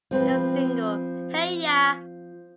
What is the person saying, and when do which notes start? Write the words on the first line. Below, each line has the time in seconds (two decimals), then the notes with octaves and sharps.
The single Hey Ya!
0.11 F3 C4 B4